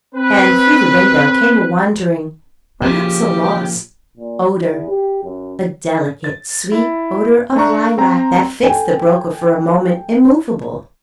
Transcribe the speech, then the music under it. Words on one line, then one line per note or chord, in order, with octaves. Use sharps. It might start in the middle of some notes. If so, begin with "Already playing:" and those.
And through the window came a wandering--perhaps a lost--odour--a delicate, sweet odour of lilac that fixed the broker for a moment immovable.
C4 B4
A#2 C#3 F3 G4
A#2
E2
G4
F#2
A6
E4
A3 D4 A#5 C#6
C4 A#5
A4 G5 G#5